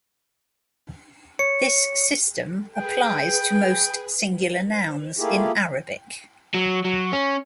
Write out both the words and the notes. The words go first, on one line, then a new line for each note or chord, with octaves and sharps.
This system applies to most singular nouns in Arabic.
C#5 C#7
G#4 B4 G5
A3 A#3 E4 F4 G4 G#4
F#3
F#3
C#4